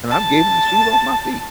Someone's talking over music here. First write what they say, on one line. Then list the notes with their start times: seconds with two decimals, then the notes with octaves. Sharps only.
and I've gave 'em the shoes off my feet,
0.11 A5